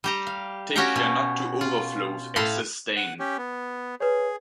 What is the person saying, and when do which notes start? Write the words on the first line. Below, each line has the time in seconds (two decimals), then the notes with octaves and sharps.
Take care not to overflow with excess stain.
0.04 G3 G4 A#5
0.27 F5
0.76 C#4 F#4 G4 F5 G5 A#5
0.96 B2
1.61 F4
2.36 A2 F5 A5 B5 C6
2.96 F#5
3.20 C#4 G4
3.38 B3
4.00 G#4 B4 C#5